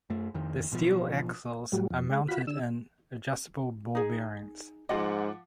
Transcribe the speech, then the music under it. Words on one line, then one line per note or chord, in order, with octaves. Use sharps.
The steel axles are mounted in adjustable ball bearings.
F#2 A3
F2 D#3
A1 B2 E3 F3
A2 F#3 G3
F2
G#3
F4 F#4 B5
D3 E6
D#4 G#4
G#2 F3 F4 D#5 F#5 D6